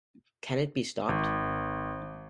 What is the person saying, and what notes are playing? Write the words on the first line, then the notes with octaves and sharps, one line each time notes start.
Can it Be Stopped?
G#1